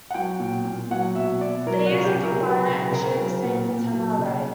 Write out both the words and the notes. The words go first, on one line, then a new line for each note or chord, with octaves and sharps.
They use a combiner and share the same antenna array.
F#5
F#3 G5
A#2
A#2
F#3 F#5
B2 E5
B2 D5
F#3 A#4
F#4
C#3
G4
C#3
A#4
F#3 B4
C#3
C#3 A#4
F#3 A#4
A#2
A#2
F#3
C#3